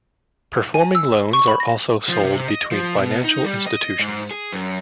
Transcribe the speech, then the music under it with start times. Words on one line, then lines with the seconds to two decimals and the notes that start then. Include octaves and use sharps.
Performing loans are also sold between financial institutions.
0.74 G#5
0.95 E6
1.33 C#6
1.48 B5
1.60 A#6
2.09 F3
2.23 C3
2.48 D#5
2.72 F3
2.96 B2
3.24 D#4
3.44 G3
3.66 D#5
3.99 G#2
4.31 G#4
4.53 F#2